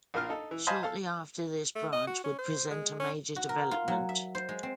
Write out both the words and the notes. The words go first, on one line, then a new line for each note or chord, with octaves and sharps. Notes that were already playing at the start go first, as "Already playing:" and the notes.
Shortly after this branch would present a major development.
A#1 A#3 F4 F6
D#4 A4
E3
C5 D#5 F5 G#5 A5 B5
A4 F5
A3
D#5
F#4
C#4
C5
G#3
C#4
F#4
A#4
F4
F#3
E5
C5
G#3
C4